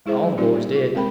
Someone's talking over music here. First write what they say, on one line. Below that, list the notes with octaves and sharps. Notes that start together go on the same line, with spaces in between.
All the boys did.
G#3 E4 G#4 C5 E5
F#3
G3 C4 D#4 F4 G4 D5
A#3
F4 G#4
G#3 C4 A#4 G5 B5